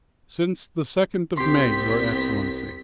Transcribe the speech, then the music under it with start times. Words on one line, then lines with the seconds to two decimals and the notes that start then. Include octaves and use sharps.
"Since the second of May, your Excellency."
1.37 C2 B3 C4 G4 C6 B6